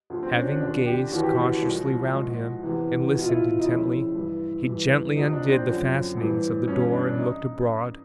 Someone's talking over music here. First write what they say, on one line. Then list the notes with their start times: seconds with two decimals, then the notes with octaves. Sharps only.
Having gazed cautiously round him, and listened intently, he gently undid the fastenings of the door, and looked abroad.
0.10 D2 D3 F3
0.23 C4
0.31 D4
0.36 C#4
0.48 D4
0.61 D#2 D3 F3 D4
0.86 G4
1.12 D#2 C#3 E3 F#4
1.23 G4
1.35 F#4
1.62 C2 A#2 F3
2.13 G#2 F3
2.63 E2 C3 E3
3.14 C#2 B2 F#4
3.21 F4
3.29 E4
3.37 F4
3.58 D#4
3.64 F2 C#3 F3 E4
4.15 G2 E3
4.65 G2 E3
5.16 D2 C3 F3 D#4
5.33 D4
5.50 C4
5.66 F#2 D3 F3
6.17 G2 E3
6.67 G2 E3 C#4
6.80 C#4
6.93 D4
7.05 D4
7.18 D#4